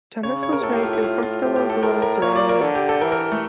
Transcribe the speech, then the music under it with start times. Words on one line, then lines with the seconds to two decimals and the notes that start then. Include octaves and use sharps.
Thomas was raised in comfortable rural surroundings.
0.23 C#3 C#5
0.43 C#5
0.53 A#4
0.63 A2 A4
0.73 G4
0.83 F4
0.93 E4
1.03 F4
1.23 F4
1.43 A2 G4
1.56 G4
1.70 A4
1.83 A#4
2.02 A#4
2.22 A#2 C#5
2.36 D5
2.49 A#4
2.62 D3 A4
2.75 G4
2.89 A4
3.01 E3 A#4
3.12 A#4
3.32 A3